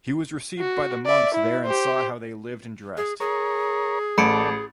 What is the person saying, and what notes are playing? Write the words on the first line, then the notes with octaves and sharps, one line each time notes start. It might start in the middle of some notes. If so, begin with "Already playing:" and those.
He was received by the monks there and saw how they lived and dressed.
F#4
D5 E5
E4
G4 C5
G#4
G#4 A#4 C#5
A1 A3 D5 B5 C#7 D7